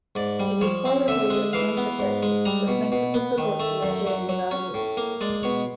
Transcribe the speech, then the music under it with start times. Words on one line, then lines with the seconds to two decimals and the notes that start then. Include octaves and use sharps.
It is qualitative and subjective which makes it difficult to measure and evaluate.
0.15 G#2 D5
0.40 G3
0.61 F3 C#5
0.85 C4
1.08 D3 E5
1.30 G#3
1.53 E3 F5
1.77 B3
1.99 G#2
2.23 G#3
2.45 G3 A#5
2.68 B2
2.92 B2
3.14 B3
3.38 D#3
3.60 A3
3.83 F#2
4.07 F#3
4.29 F#3
4.51 C#4
4.74 A2
4.97 A#3
5.21 G#3 D5
5.43 B2 C#5